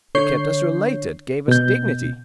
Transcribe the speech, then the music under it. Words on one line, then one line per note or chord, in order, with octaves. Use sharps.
It kept us related--gave us dignity....
D3 C#5 G6 C7
B2 G6